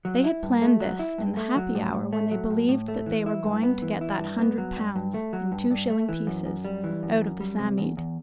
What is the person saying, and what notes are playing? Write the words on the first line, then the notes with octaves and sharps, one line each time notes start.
They had planned this in the happy hour when they believed that they were going to get that hundred pounds, in two-shilling pieces, out of the Psammead.
F#3
E4
G2
A3
F#3
E4
G2
A3
F#3
A2
A2
A3
F#3
A2
A2
A3
E3
E4
G2
B3
E3
E4
G2
B3
F#3
G2
G2
A3
F#3
G2
G2
A3
E3
F#2
F#2
G3
E3
F#2
F#2
G3
C3
E2
E2